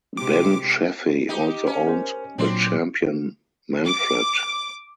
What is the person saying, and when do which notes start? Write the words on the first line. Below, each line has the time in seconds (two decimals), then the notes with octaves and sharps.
Ben Chaffey also owned the champion Manfred.
0.17 C3 G#3 G4 D6
1.29 D#4 G4
1.67 C#4
1.87 A#4 C5
2.38 A#2 F#3 C4 D4 C6
3.84 D6